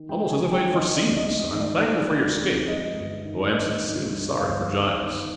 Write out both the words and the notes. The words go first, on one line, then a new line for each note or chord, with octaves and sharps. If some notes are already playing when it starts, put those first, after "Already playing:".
It is almost as if I had foreseen this; and I am thankful for your escape, though I am sincerely sorry for Giles.
Already playing: D#3
G#3 G5
G#5
F2
G5
D#3
D#5
C4 D5
D#5
G#3
D#5
D#3
D5
G#3 D5
D#3
F2
G#3 D#5
G1
D#3
D#3 D#5
G2
G2
G1 F5
D#3
D#3